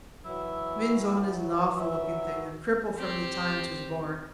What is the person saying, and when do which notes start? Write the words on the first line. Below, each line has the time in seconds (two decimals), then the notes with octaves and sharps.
Min's own is an awful-looking thing--a cripple from the time 'twas born.
0.25 E3 F#3 E4
1.77 E5
2.98 C4 G4